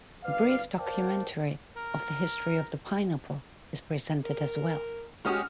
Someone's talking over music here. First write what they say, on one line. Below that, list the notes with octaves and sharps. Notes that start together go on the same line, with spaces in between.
A brief documentary of the history of the pineapple is presented as well.
G1 B4 D5 F5
A#4 C5 D5 F5 G5 A5
A#4
A#4
G#3 C#4 F#4 G4 D#6 F6